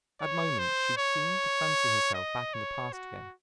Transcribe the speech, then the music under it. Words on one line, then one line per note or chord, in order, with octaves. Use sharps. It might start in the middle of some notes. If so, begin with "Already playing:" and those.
At moments she seemed to fancy herself back in the past again.
C#5
C5
C#5
D#5
C#5
F#4